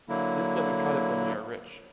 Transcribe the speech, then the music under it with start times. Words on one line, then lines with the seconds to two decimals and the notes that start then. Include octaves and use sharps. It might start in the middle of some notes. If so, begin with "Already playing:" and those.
This doesn’t cut it when we are rich.
0.09 D3 F#3 A#3 E4